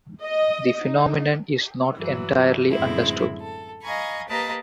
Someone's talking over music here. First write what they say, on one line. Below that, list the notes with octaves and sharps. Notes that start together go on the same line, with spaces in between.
The phenomenon is not entirely understood.
D#5
D#4
G2 E3 F#3
F#2 A2 D3 G#3 C4 E4
A4
D#5 F5 G#5 A#5 B5 C#6
A#3 G4 B4 D#5 A5 A#5